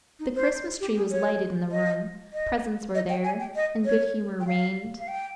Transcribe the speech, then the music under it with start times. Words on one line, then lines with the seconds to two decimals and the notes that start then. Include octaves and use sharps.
The Christmas-tree was lighted in the room; presents were there, and good-humor reigned.
0.19 D#4
0.35 C5
0.80 G4
0.96 G#4
1.11 C#5
1.72 D#5
2.33 D#5
2.95 D#5
3.09 G5
3.24 G#5
3.40 G5
3.56 D#5
3.85 C#5
4.40 G5
4.47 F5
5.00 F5
5.08 G5